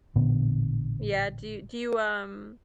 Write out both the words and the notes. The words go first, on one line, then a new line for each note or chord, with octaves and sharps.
Yeah. Do you do you, um
A1 A#2 D3 B3